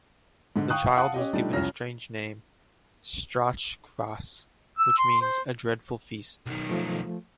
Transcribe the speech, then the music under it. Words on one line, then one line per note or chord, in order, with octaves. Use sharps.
The child was given a strange name: Strachkvas, which means "a dreadful feast".
G#2 D3
F5 G5 C#6 D#6 F#6
F5 F#5 A5 D#6 F#6
C#4 G4 D#5
F3 G3 A3 D4 D#4
C2 F2 C#4 F6 A#6
E6
C6
C5
B1 D#3
F3 A3